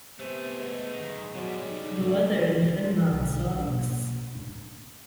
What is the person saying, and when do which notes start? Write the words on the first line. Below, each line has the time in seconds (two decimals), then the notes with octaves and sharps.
The weather in Finland sucks.
0.19 C3 A3 B3 G#4
0.60 G#3
0.93 F#2 D#3
1.34 B2 F#3 G3
1.70 D#4
2.01 G#3 A3
3.11 B1 D3
3.67 B2 A#3